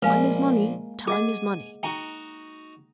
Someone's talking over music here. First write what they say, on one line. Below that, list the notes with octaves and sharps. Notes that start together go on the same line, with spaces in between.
Time is money, time is money.'
A#1 G#3 A#3 B4 F5 G#5
G#4 D#5 F#5 G#5
D#4 F#4 G5 A#5